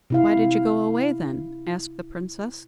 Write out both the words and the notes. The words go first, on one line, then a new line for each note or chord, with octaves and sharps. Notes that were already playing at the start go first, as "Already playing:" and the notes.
'Why did you go away then?' asked the princess.
C3 E4 F5